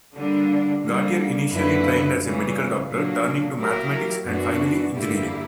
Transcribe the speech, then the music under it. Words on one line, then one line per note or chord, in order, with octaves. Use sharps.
Gautier initially trained as a medical doctor, turning to mathematics and finally engineering.
D3 G3 A#3 D4
D3 G3 A#3
F#2 D3 A#3 E4 B4
C#3 E3 G3
A#2 F#3 A#3 D4
F#3 A#3 E4 G4 A#4
F#2 E3 B3 D4 F#4
G2 D3 A#3 E4 G4